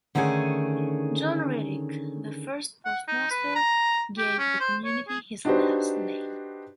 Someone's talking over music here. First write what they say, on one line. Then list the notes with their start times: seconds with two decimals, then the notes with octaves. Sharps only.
John Reddick, the first postmaster, gave the community his last name.
0.15 D3 D#3 A3 C#4 G#4 G#5
2.85 F#5
3.07 D#4
3.31 B4
3.55 A#5
4.18 G4
4.39 C#4
4.60 C5
4.85 C#5
5.08 G#4
5.45 D4 D#4 F#4 G4 B4 C5